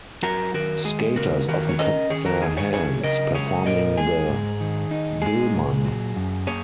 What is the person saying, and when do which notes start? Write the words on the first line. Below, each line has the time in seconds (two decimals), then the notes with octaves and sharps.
Skaters often cut their hands performing the Biellmann.
0.23 F#3 F#4 A#4
0.54 D#3 F#4 A#4
0.85 G#3 G#4
1.16 C#3 F#4 A#4
1.48 D#3 F#4 A#4
1.69 C#5
1.78 C#4 A#4 D#5
2.10 D#3 G#4 C#5
2.25 F#4 A#4
2.42 D#4 G#4
2.57 G#4 C#5
2.73 F#3 G#4 C#5
3.03 C#3 A#4 D#5
3.34 G#3 G#4 C#5
3.66 A#2 A#4 D#5
3.97 G#3 G#4
4.29 G#2
4.60 D#3
4.91 D#4
5.22 G#3 G#4
5.54 A#2
5.85 F#3
6.16 F#2
6.47 A#3 G#4 C#5